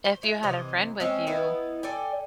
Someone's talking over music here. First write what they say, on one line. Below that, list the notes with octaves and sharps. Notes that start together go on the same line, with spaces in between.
If you had a friend with you,
C5
E4
C3 E3 D#5
G#3 C4 C#4
B3 D#4 E4 B4
A4 D5 G5 G#5